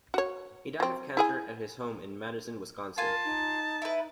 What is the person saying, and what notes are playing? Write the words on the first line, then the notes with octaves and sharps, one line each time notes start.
He died of cancer at his home in Madison, Wisconsin.
F#4 C#5
F#3 C4
E4 G#4 G#5
F4 A#4 G#5 A5
D#4
E4 B4